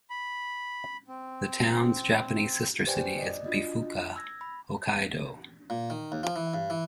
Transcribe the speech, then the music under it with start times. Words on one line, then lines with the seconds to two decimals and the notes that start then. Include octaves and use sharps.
The town's Japanese sister city is Bifuka, Hokkaido.
0.10 B5
1.08 C4
2.86 G4 B4 C5 D5 G5 G#5
3.18 D5 D#5
3.44 D4 F4 F#4 D#5
4.16 E6 G#6 A#6
4.41 B5
5.70 A#2
5.90 D#3
6.12 D#2
6.23 F3
6.36 E3
6.54 G2
6.70 E3